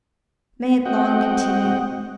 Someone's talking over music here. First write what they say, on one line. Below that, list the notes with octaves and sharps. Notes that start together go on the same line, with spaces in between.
May it long continue!
C4 F#4 D#5 F#5 G5